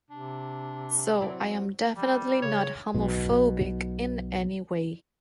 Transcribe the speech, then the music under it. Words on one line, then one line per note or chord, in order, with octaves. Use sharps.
So I am definitely not homophobic in any way.
C3 D4
F#3 C4 E4 D5
G3
C#3 C#5
B1 B2